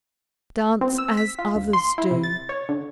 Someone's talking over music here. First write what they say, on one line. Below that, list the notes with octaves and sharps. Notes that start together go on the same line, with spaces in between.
Dance as others do.
C4
E6
B6
F4
D2
C6
E4
C3
A6
C#5
D3